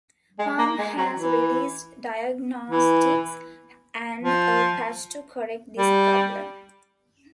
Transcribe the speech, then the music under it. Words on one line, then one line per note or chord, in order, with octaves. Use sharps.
Palm has released diagnostics and a patch to correct this problem.
G#3
A#3
G#3
F#3
E3
E3
F3
G3